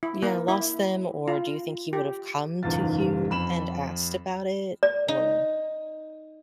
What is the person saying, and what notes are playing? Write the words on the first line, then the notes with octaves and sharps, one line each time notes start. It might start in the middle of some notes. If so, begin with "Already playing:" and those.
Yeah, lost them, or do you think he would have come to you and asked about it? Or
E4
A#3
E4
F4
G4
F#1 B1 E2 G#2 F4 A6
F2 B5 E7 F#7
D5
D#4